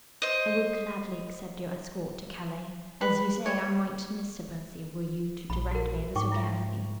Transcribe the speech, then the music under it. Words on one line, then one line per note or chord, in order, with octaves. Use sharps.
I will gladly accept your escort to Calais . . . as you say, I might miss Sir Percy were you to direct me ever so carefully.
C5 D#5
B4
C#5
A#1 B5
F#4 A#4
G#2 G5 C#6 D6
E4 F4 E5